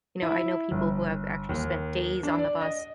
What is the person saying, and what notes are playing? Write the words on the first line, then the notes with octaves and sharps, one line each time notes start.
you know, I know people who have actually spent days on the bus,
E4
G1
D#2
D4
D5
D#5